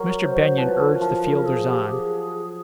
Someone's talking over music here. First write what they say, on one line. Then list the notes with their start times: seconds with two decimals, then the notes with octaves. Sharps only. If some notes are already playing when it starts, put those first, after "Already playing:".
Mr. Benyon urged the fielders on.
Already playing: F#3 A#4
0.24 C5
0.57 F3 B4
0.79 F3
0.90 A#4
1.01 F3
1.23 A#4
1.45 G#4
1.67 G4
1.89 G#4